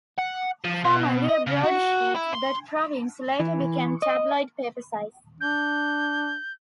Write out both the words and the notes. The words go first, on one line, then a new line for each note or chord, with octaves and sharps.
Formerly a broadsheet, "The Province" later became tabloid paper-size.
F#5
F3
B2
D#5
C#3
F#4
E4
C6
E3
D#5
D4 G6